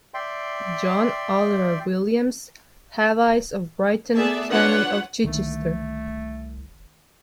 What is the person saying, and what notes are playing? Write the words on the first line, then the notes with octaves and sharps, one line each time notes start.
John Oliver Willyams Haweis of Brighton, Canon of Chichester.
D5 E5 G5 C6
A3 B3 G#4 D5 E5 A5
D4 F4 B4 C#5 F#5
C2 D3 D#3 A3 A#3